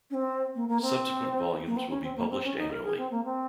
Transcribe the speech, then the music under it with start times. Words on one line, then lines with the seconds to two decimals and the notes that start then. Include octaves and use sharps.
Subsequent volumes will be published annually.
0.11 C#4
0.14 C4
0.55 A#3
0.68 A#3
0.82 C4
1.66 A#3
1.77 C4
1.89 C#4
2.04 C4
2.17 A#3
2.31 C4
2.44 C#4
2.58 D#4
2.71 A#4
2.85 G#4
2.98 C4
3.11 A#3
3.25 C4